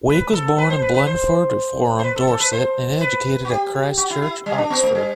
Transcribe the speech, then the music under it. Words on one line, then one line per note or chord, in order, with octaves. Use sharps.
Wake was born in Blandford Forum, Dorset, and educated at Christ Church, Oxford.
B4
A4
B4
C5
B4
B4
C5
C5
B4
A4
A4
B4
C5
B4
F#4
G4
F#4
E4
E4
G3
D4
B3
A3
G3